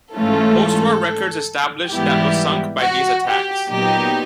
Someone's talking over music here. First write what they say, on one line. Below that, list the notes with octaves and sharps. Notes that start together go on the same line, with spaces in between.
Postwar records established that was sunk by these attacks.
G#2 E3 A3 C#4 F4 A4
G#2 E3 G3 B3 E4 G4
F#4
G4
A#2 F#3 B3 D#4 G4